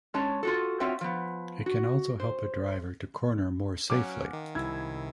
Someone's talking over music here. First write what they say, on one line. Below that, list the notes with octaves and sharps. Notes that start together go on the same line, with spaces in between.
It can also help a driver to corner more safely.
G#3 C#4 C#5 A5
F4 F#4 A4
C4 F4 F#4 C#5 E5 G5
F3 B3
F#4
C5
F#3 C#4 F5 F#5 G#5 D6
D#3
C2 E4 E6 G#6